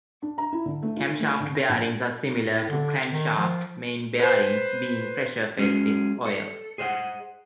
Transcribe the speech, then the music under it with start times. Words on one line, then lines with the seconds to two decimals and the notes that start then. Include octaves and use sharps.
Camshaft bearings are similar to crankshaft main bearings, being pressure-fed with oil.
0.23 D4
0.38 A#5
0.53 E4
0.66 D3
0.83 A3
0.97 F4
1.20 A3
1.40 D3
1.55 A#6
1.69 A#1
2.48 A2
2.69 D3
3.11 D#3
3.37 F3
4.20 B4 C5
5.58 F#3 G#3 C#4 G#4
6.26 A4
6.78 G#4 C5 D#5 F5 F#5